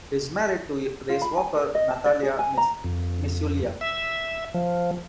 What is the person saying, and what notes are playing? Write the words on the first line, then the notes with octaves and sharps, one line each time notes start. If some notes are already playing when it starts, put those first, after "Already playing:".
He is married to racewalker Natalya Misyulya.
F4
B5
G#5
A#4
D#5
A5
D5
G#4
G#5
A#5
F2
E5
F3